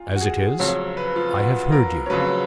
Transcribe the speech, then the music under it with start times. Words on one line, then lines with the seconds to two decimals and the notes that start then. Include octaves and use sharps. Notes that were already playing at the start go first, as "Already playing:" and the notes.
As it is, I have heard you.
Already playing: A#2 F4
0.16 F#4
0.21 G#4
0.59 F2 C#3 F#3 C#4
0.97 B4
1.16 F4
1.34 F#4
1.72 A#4
2.06 C#5
2.10 F2 C#3 F#3 B4